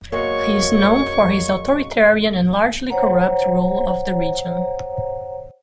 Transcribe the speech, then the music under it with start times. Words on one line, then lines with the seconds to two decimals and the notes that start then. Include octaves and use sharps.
He is known for his authoritarian and largely corrupt rule of the region.
0.12 F#3 G#3 A#3 C#5 C#6
2.90 C5 C#5 F#5 A#5